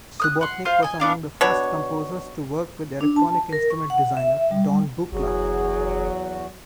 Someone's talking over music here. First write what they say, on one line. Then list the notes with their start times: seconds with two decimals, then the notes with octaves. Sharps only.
Subotnick was among the first composers to work with electronic instrument designer Don Buchla.
0.20 D#6 F6 F#6
0.41 F#5 C6
0.65 F4 C5 F5
0.83 D#5 G#5
1.00 B3 D4 F5
1.41 B2 D4 C#5
3.01 D4
3.16 A5
3.53 A#4
3.70 C#6
3.90 F#5
4.17 E5
4.51 G3
5.12 F#1 E2 F#3 F#4 G#4